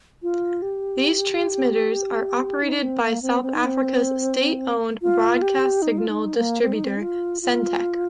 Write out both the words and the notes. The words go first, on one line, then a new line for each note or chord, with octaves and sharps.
These transmitters are operated by South Africa's state-owned broadcast signal distributor Sentech.
F4
G4
D#4
C4
A#3
C4
C4
D#4
C4
F4
G4
D#4
F4
D#4
A#3
C4
D#4
C4
D#4
F4
F4